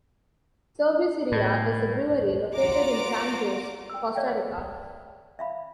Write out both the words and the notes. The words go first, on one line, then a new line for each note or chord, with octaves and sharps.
Cerveceria is a brewery located in San Jose, Costa Rica.
A2
F4 F#4 A#5 D6
G5 E6
A#4 C#5 D5 E5 F5 G5
E5 F5 B5